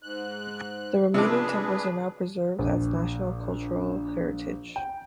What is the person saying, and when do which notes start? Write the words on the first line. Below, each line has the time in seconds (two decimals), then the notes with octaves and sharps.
The remaining temples are now preserved as national cultural heritage.
0.03 G#2 F#6
1.14 C3 F3 D4 G#4 B4 D6
2.59 A#1
4.76 G5